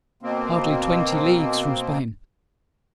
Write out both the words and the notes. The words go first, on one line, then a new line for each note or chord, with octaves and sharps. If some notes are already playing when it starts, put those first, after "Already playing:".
Hardly twenty leagues from Spain!
B2 A#3 C4